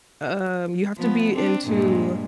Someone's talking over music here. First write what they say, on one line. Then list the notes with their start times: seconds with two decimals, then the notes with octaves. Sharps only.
um, you have to be into
0.97 F3 B3
1.34 C4 D4
1.66 G2 A#2 G#3